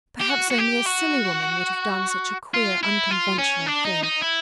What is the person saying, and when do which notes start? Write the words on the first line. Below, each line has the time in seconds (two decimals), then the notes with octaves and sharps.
Perhaps only a silly woman would have done such a queer, unconventional thing.
0.21 G4
0.30 F#4
0.51 F#4
0.59 G4
0.86 F#4
2.54 F4
2.83 E4
3.11 F4
3.38 C#4
3.66 D4
3.85 D#4
4.03 D#4
4.22 E4